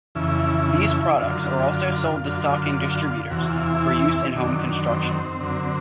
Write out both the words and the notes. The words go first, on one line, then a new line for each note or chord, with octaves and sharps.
These products are also sold to stocking distributors for use in home construction.
F2 C#3 E3 E4
F#2 D3 F4
F#2 D3 F4
E2 C3 E3 F#4
F4
E4
F#2 D#3 D4
D4
C4
F#2 D3